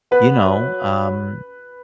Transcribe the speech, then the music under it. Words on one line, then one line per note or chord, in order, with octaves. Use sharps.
you know, um,
B3 B4
F#3